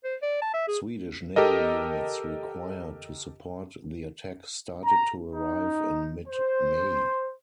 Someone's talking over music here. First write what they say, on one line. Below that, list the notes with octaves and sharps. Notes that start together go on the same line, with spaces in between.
Swedish naval units required to support the attack started to arrive in mid May.
C5
D5
A5
E5
G#4
G4 A4 A#4 D#5
A#5
D#4
C5